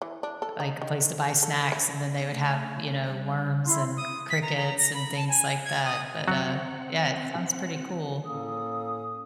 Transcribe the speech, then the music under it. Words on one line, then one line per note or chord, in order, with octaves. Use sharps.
like a place to buy snacks, and then they would have, you know, worms and c crickets, and things like that, but, uh, yeah, it sounds pretty cool.
E3
D4
A4
D#4
D#3
A4
E4
C4
A3
G3
E4 C6
D#6
B6
A#5
A#5
A#6
B5
A5
G#5
G#6
D#6
F#3 C4 F#4 F#5
A2 A#3 C#4 A4 D#6